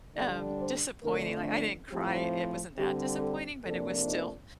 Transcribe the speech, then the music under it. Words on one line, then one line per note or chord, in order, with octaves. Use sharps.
um, disappointing, like, I didn't cry it wasn't that disappointing, but, it was still,
D3 G3 D4 D5
C5
F2 D3 A3 D4 A#4
A4
A2 F3 C4 G4
D3 G3 C4 G4
A4
F2 C3 F3 A#3 D4 A4
D#4